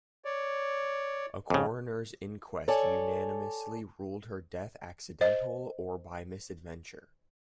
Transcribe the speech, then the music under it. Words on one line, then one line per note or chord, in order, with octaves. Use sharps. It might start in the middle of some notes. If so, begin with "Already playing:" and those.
A coroner's inquest unanimously ruled her death accidental or by misadventure.
C#5 D5
F2 C#3
A4 C#5 D5 G#5 A5
C5 D#5